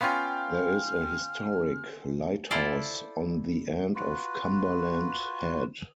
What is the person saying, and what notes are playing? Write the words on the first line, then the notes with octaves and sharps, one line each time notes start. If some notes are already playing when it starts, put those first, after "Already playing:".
There is a historic lighthouse on the end of Cumberland Head.
B3 C#4 F4 F5 G5 G#5 C6 F6
E4 F4 A4 C5 D5 F5
F4 F#4 B4